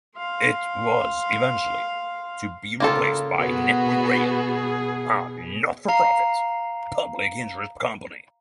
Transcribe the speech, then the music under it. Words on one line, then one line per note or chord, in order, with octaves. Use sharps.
It was eventually to be replaced by Network Rail, a not-for-profit 'public interest company'.
F5 C6
C#3 A#3 F4 A4
B2 B3 F#4 G#4
F5 A#5 C7